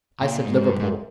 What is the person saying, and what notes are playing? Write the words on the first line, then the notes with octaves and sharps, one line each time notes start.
"I said Liverpool."
A#2
G#2
G2
G#2